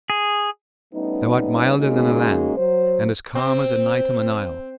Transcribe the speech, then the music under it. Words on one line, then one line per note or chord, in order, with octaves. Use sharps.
Thou art milder than a lamb, and as calm as a night on the Nile.
G#4
G3 A3 B3 C#4 D#4
C#3 G#3 A#3 C#4 D#4 F#4
F#3 C5
C4